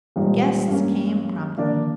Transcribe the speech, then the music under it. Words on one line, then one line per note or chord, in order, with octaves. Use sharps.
The guests came promptly.
D#1 A#2 E3 G3 G#3 D#4
G2 A#3 C#4
F#3
D3 D#3 F3 A#3 D4